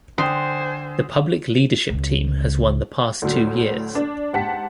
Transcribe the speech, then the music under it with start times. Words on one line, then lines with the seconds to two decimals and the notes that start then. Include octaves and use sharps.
The Public Leadership team has won the past two years.
0.18 D3 C5 G5 G#5 C6 D#6
1.89 C#2 C#3
3.22 D2 A2 D3 F#3
3.95 D4
4.33 G#2 G4 F#5 G5 A5 B6